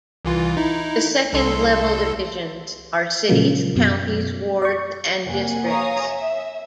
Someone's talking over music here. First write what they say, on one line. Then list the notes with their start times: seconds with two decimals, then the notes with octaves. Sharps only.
The second-level divisions are cities, counties, wards, and districts.
0.25 C2 E3 F4
0.57 D#4 E4
1.33 C2 A4 C6
3.29 A#2 C#3 F3 F#3 G#3 A#3
3.76 F#2 B2
4.62 D5 C#6
5.24 F2 C3 A#3 F#5 G#5
5.67 C#5 F5 G#5 A#5 D#6
6.09 E5